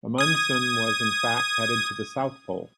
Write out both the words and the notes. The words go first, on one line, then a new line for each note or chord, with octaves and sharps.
Amundsen was, in fact, headed to the South Pole.
D#6 G#6